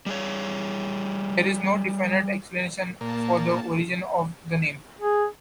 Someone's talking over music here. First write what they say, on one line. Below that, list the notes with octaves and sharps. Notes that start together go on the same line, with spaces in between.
There is no definite explanation for the origin of the name.
G3 G#4 C#5
A#2 A#3 A5
G#4